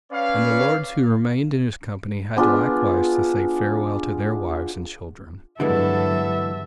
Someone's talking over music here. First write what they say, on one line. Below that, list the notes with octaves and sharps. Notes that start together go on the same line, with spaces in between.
And the lords who remained in his company had likewise to say farewell to their wives and children.
C#4 B4 C#5 D5 F5
B3 D4 F4 G#4
G2 D3 E3 F#3 G#3 B3 A4 E5